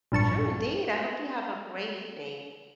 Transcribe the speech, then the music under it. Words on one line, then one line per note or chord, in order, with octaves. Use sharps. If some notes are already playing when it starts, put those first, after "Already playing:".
True indeed, I hope you have a great evening.
A#1 G2 A5 C#6